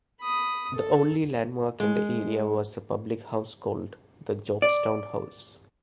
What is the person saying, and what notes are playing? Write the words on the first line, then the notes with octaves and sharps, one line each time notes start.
The only landmark in the area was the public house called the Jobstown House.
B5 D#6
A4
G#3
D5